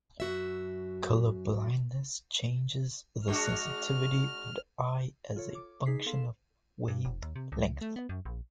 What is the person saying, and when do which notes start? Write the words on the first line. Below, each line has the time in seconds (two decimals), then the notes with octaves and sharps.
Color blindness changes the sensitivity of the eye as a function of wavelength.
0.20 F#2 F#4 E5
3.28 G#3 D4 F#4 F6
5.36 F4 A4 C#5
5.55 D6
5.86 D#4 G#4 B6 C7
6.06 B3 A4 F5 C6 E7
6.88 G2
7.05 F1
7.23 D#2
7.36 C3
7.52 C#2
7.81 A3
7.96 B3
8.09 F#2
8.25 A#1